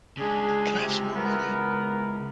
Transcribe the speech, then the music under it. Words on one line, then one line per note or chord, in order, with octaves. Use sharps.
can I have some more money?"
C#3 G#3 D4 G#4
C3
E2 B3 A#4